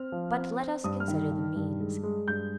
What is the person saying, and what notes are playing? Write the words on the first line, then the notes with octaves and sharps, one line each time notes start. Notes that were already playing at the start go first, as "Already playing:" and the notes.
But let us consider the means.
Already playing: C4 F6
F3
C4
C4
G2 D#6
F6
D#3
D#3
G2
G#3
G#3
G2 G6